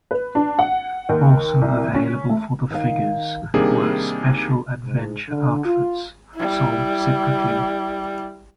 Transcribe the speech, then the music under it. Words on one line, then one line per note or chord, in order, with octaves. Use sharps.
Also available for the figures were special "adventure outfits", sold separately.
B4
D4
F#5
D#2
C2
C#4
A3
D#3 F5
C3 D#3 G3 A#3 D4 G#4
G#2
D3
F4
G3 E4